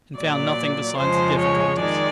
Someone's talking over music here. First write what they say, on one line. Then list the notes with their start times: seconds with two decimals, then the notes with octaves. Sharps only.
'And found nothing besides the difficulties?'
0.18 A#2 F#3 D5
0.98 F2 C#3 F3 G#3 C5
1.39 C#5
1.78 D#3 G#3 D5